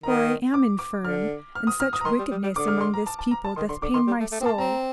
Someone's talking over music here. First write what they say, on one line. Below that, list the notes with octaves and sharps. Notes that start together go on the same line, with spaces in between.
For I am infirm, and such wickedness among this people doth pain my soul.
D#3 A#5
D6
D6
D3 F6
F6
D#6
F6
D#6
A#5
D#3 C6
G3
G3
G3
D3 D6
F6
C6
A#5
A5
A5
A#5
A5
D#3 C6
D3 C6
D3 D6
D#3 C6
G3
A3
A3
C4
A#3 A5
C4 A#5